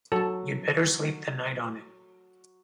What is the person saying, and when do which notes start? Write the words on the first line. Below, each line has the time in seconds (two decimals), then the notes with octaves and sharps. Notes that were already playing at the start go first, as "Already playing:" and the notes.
You'd better sleep the night on it.
0.12 F#3 A4